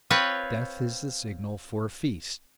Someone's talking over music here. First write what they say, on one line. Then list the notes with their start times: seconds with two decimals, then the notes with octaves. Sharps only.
Death is the signal for a feast.
0.10 C4 F4 B4 C#5